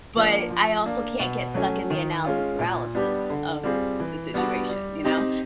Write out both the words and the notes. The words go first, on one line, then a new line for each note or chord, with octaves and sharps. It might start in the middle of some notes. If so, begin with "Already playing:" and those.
but I also can't get stuck in the analysis paralysis of the situation, you know,
F3 A#3 D4
F3
A#3 D4
B2
F#3 A3 C#4
D#3
G#3 C#4 F4
A#2
G3 B3 D4 G4
D3
G3 C4 F4 G#4
E3
G3 B3 D4 F#4
G3
C4 D#4 G4